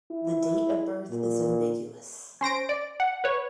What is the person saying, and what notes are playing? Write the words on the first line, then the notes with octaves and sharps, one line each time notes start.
The date of birth is ambiguous.
E4
A#2
C#4 C5 A#6 D7
D5
F#5
B4 C#5